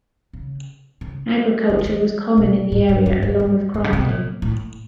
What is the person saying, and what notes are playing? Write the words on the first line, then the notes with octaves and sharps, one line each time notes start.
Agriculture was common in the area along with crafting.
C#3
C#3
D#3
F3
E3
B2
A2
G#2
G2
G#2
G#2
G#2
C#3
C3
B2
A#2
A2